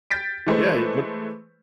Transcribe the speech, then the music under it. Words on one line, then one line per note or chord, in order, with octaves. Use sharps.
Yeah, you'd but
G6 A6 B6 D7
E3 G#3 A3 G#4 B4 C5